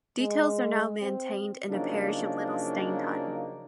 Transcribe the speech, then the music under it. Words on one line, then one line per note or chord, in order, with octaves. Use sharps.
Details are now maintained in the parish of Little Stainton.
G#3
C4
C#3 F3 F#3 A#3 D4 D#4